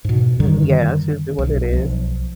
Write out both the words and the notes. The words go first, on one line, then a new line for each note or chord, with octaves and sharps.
M mm, yeah, that's usually what it is.
G#2 B2
F#2 D3 D#3 G3
B1
B1 F3